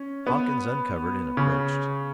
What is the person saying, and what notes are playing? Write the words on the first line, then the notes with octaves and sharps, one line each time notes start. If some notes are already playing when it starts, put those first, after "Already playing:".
Hawkins uncovered and approached.
Already playing: C#4
B3
C#3